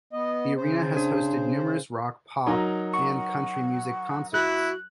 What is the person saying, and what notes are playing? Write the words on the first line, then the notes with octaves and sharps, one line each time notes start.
The arena has hosted numerous rock, pop, and country music concerts.
B3 D#5
C#3 C5
D4
F#3 D#4 A#4
F#5 C#6
E4 F#4 F#6